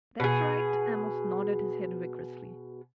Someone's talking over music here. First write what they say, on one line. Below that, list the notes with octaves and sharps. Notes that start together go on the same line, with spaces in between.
"That's right," Amos nodded his head vigorously.
B2 G#4